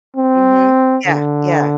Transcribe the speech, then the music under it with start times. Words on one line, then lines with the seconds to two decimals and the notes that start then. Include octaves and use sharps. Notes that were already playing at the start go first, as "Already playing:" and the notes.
Mhm. Yeah, yeah.
0.16 C4
1.07 D3